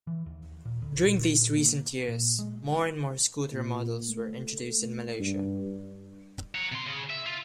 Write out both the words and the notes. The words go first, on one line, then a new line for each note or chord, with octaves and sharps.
During these recent years, more and more scooter models were introduced in Malaysia.
E3
D#2
A#2
D2
A#2
A#3
A#2
G#3
A#2
A3
G2
F#5 A#5
C3 C6
C#3
E5
F4